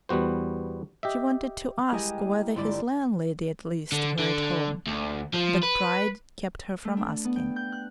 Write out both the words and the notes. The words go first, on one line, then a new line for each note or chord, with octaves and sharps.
She wanted to ask whether his landlady at least were at home, but pride kept her from asking.
E2 G3 B3 F#4 C5
G4 D#5 E5
G#3 E4 G4 A#4 D#5 G#5
A#3
G1 C4 E4 D5
D3
D3
D2
F3
B4
A3
D4
B3
G5
G6
F#6